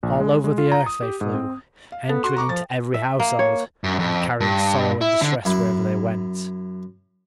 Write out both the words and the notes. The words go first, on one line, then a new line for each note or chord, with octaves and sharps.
All over the earth they flew, entering into every household, and carrying sorrow and distress wherever they went.
A#1
G#3
G#3
F4
A#5
D#6
G4
G#2
C4
F5
B3 A4
F#4 C6
A#5 C#6 D6
F3 A6
E5
A#3
C#5
F#2
F2
G2
E4
D3
F#2 E4